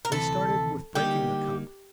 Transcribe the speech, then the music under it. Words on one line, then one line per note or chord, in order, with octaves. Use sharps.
They started with breaking a cup.
A#4
D2 C3 E3 A4
D3 G3 A#3 D#4 G4